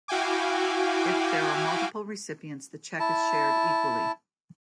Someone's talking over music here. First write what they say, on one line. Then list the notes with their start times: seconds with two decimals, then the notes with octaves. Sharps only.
If there are multiple recipients, the cheque is shared equally.
0.08 E4 F#4 F5 G5 G#5 D6
3.00 E4 A5